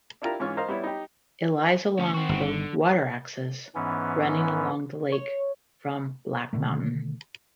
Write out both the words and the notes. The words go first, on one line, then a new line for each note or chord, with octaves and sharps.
It lies along the 'water axis' running along the lake from Black Mountain.
D4 E4 F4 G4 A#4 A#5
G#2 E3 C#4 F4 C#6 F6
A#4 C5 D#5 F5 A#5 C6
G3 B3 E4 C#5
D#4 G4
D2 C#4
C4 F#4
G1 A#2 D#3
D3
G#2 E3 B3 C#4
C#5
B2 D3 D#3 A3